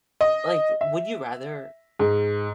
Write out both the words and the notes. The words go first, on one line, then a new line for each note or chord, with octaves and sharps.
Like, would you rather
D#5
E5
G#2